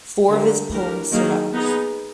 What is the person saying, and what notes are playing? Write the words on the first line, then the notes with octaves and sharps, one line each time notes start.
Four of his poems survive.
D3 G3 A#3
E3 A3 D4 G4 A#4
D#3 F#3 A#3 D#4 G#4
B3 D#4 G#4